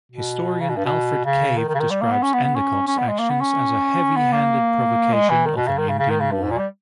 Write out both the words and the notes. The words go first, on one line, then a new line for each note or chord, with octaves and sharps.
Historian Alfred Cave describes Endecott's actions as a heavy-handed provocation of an Indian war.
B2
C#3
B2
G2
B2
C#3
D#3
D#3
C#3
D#3
G3
A#3
B3
C#4
B3
B3
C#4
C#4
B3
G#3
A#3
B3
C#4
B3
A#3
G#3
E3
D#3
B2
C#3
D#3
C#3
C#3
D#3
C#3
G2
G#2
A#2
G3